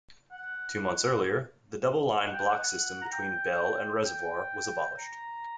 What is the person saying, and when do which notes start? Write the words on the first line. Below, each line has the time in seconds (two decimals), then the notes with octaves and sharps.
Two months earlier, the double line block system between Bell and Reservoir was abolished.
0.31 F#5
2.25 F#5
2.33 G5
2.49 F#5
3.02 A#5
3.12 G5
4.05 G5
4.98 A#5